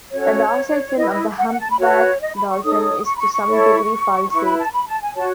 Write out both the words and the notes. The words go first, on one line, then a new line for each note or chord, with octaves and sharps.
The dorsal fin of the humpback dolphin is to some degree falcate.
C#4 F#4 A4 C#5
E4 B4 D#5
D#5
F#5
F#5
A5
B5
F#4 B4 C#5
D#5
B5
C#6
D#4 A4 C#5 D#6
C#6
B5
C#6
C#6
E4 A4 C#5
E4 B4 C#6
B5
A5
B5
A5
G#5
F#4 C#5 A5